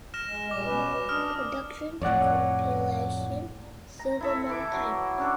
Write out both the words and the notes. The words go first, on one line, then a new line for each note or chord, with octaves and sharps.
Productions compilation "Silver Monk Time".
F6 A#6 E7
G#3
A#2 G3 G#3 D6
B2 C#4 B4
D4 D#6 F6
F2 A2 C#5 D5 F#5
A#5
E4 A4 E5
E3 D6
F#3
C#4 D4 A4